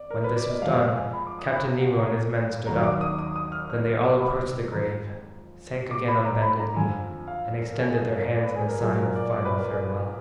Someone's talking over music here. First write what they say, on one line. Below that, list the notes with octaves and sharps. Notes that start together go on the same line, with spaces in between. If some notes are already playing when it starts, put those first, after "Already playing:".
When this was done, Captain Nemo and his men stood up; then they all approached the grave, sank again on bended knee, and extended their hands in a sign of final farewell. . . .
Already playing: D5
A#4
B4
D5
D#5
F2 F3 G#3 F5
F5
G#5
B5
D6
D#6
B5
A#5
F#5
A#5
D#2 D#3 F#3 A#5
D6
D#6
D#6
D#6
F6
F6
D6
B5
F2 F3 G#3 A#5
D6
B5
A#5
B5
A#5
F2 D3 F3 G#5
F5
A#4
A#4
G#4
G#4
A#4
A#4
D5
B4
G#4
A#4
A#2 F#3 G#4
A#4
D5
D5
B4
A#4
G#4
B4